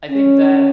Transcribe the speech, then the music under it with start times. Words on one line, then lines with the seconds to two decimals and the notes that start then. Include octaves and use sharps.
I think that,
0.09 C#4